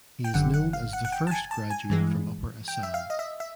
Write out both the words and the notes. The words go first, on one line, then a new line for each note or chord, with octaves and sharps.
He is known as the first graduate from upper Assam.
G5
G1 F#2 D3 F#5
F#5
F5
F#5
F#5
G5
A5
G#5
A5
G#5
G2 E3 G#3
G5
E5
F5
D#5
E5
E5